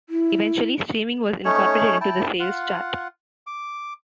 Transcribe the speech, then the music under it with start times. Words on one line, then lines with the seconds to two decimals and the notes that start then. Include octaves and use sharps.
Eventually, streaming was incorporated into the sales chart.
0.09 E4
1.45 A3 C#4 D#4 C#5
2.01 E4 G5 A5
2.40 F4 F#5
3.47 D6